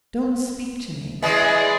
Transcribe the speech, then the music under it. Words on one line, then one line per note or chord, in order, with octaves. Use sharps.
Don't speak to me.
E3 G#3 G#4 D5